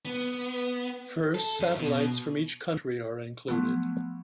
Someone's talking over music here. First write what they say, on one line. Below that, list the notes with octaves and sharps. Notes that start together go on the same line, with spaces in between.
First satellites from each country are included.
B3
A4
F#2
B2
F3 F#3 A3 B3